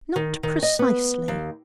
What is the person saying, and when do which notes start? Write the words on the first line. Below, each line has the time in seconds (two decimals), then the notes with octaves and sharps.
Not precisely.
0.16 D#3
0.43 D#3
0.63 D#5
0.79 B3
1.28 D#2